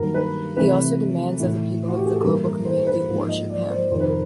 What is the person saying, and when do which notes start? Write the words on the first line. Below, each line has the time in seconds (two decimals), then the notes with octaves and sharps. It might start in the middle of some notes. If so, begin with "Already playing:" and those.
He also demands that the people of the Global Community worship him.
Already playing: G2 D#3 F#3 A#3 A#4
0.14 B4
0.57 C3 E3 A3 B4
1.40 A2 E3 A3
1.88 F#4
1.97 G4
2.06 G#4
2.15 A4
2.23 G2 E3 G3 A#3 A#4
2.45 A#4
2.65 C5
2.87 B4
3.08 G#2 F3 A#3
3.29 D#5
3.50 D5
3.70 C5
3.91 F2 C3 D#3 C5
4.00 B4
4.09 A#4